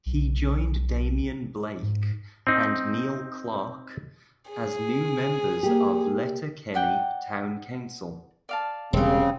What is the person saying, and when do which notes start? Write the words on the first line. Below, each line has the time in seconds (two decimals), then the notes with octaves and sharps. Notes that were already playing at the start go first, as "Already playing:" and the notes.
He joined Damien Blake and Neil Clarke as new members of Letterkenny Town Council.
0.06 B1
1.83 G#2
2.47 C4 D#4
4.51 G#4
5.63 A#3 G4
6.74 D5 F#5 G5
8.49 D5 F5 A5
8.93 E1 C#3 G3 C4